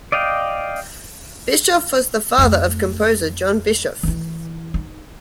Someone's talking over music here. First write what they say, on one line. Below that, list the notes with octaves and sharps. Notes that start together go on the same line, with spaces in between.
Bischoff was the father of composer John Bischoff.
D5 D#5 F5 G5
F2 A3
E3 E4
D#4